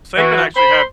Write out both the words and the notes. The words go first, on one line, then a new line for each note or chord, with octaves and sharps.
Saban actually had
E3 F#4
C5 B5